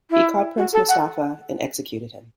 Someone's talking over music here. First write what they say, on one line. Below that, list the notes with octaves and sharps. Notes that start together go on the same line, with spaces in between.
He caught Prince Mustafa and executed him.
E4
F#4
A4
F#5